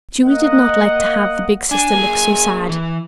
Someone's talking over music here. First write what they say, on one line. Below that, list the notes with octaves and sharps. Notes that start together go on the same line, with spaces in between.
Julie did not like to have the big sister look so sad.
A#3 D#5 F#5
D4 G#5
A#3 G#4
E3